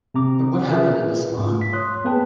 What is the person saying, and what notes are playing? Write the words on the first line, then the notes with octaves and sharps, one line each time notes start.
But what happened in the salon?
C3 C4 A#5 D6
C#4 F4 G#4 A#4 B4 E5
G#2 A3 F4
B6
C#5 C6 D#6 F#6
A#3 B3 G#4 B4 G5 A5